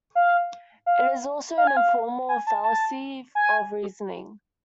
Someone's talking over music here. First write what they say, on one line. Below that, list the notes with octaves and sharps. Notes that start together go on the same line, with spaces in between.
It is also an informal fallacy of reasoning.
F5
F5
F5
G#5
F5
G#5
A5
A5
G#5